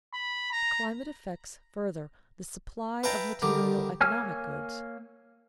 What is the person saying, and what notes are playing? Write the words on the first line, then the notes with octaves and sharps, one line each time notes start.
Climate affects, further, the supply of material economic goods.
B5
A#5
B4 E5 F5 G5 A5 A#5
D3 D#3 G3
A#3 C#5 G#5 E6 F6